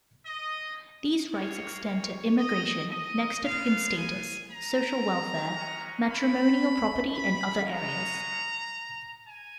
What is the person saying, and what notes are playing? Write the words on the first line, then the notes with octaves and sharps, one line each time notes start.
These rights extend to immigration, next-of-kin status, social welfare, matrimonial property and other areas.
D#5
A#3 F4 C#5
C#5
D#5
D#5
G#3 B3 F4 F5
G#5
A#5
G#3 C#4 F#4
B5
B5
G#3 C#4 F#4 A#5
G#5